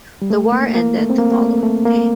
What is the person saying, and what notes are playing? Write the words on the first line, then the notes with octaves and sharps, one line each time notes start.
The war ended the following day.
G3
A3
A#3
A#3
A3
C4
A#3
A#3
A3
A3
A#3